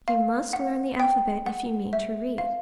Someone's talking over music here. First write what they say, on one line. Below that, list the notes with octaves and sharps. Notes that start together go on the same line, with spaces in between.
You must learn the alphabet if you mean to read.
F5
F#5
G5
F#5
E5
F5